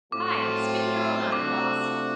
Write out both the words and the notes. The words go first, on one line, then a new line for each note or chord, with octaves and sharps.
Hi! Spit in your own eye, boss!
A2 F#3 A3 C4 F4 D6
C3 F3 A3 D4 F#4 D6